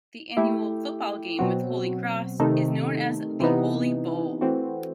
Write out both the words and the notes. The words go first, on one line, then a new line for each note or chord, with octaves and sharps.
The annual football game with Holy Cross is known as The Holy Bowl.
A3 E4 G4
B2 F#3 C4 F#4
C3 D#3 A3 D#4 A4
C3 E3 B3 D#4
E3 A3 C4 F#4